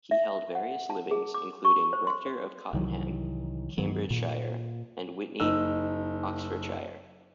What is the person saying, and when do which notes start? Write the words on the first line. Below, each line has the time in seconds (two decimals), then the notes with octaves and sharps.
He held various livings, including rector of Cottenham, Cambridgeshire, and Witney, Oxfordshire.
0.11 E5
0.55 F#5
0.90 A5
1.11 G#4
1.34 D6
1.65 C#6
1.93 C5
2.07 C6
2.26 C5
2.73 C2 D#3 E3 F#3
3.77 G2 D#3 F#3 B3
4.10 A#2
5.40 F#1 D#4 E6